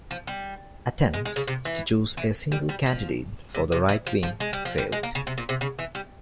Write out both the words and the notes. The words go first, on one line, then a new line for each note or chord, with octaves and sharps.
Attempts to choose a single candidate for the right-wing failed.
F3
G3
G#3
G#3
C#3
C3
E3
E3
G3
G3
F3
C3
C3
E3
F3
F3
G#3
G3
F3
G3
G#3
A#3
C#3
C3
A#2
C3
C#3
E3
G3